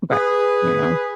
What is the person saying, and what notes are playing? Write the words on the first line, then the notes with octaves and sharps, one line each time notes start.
but, you know?
G#4 B4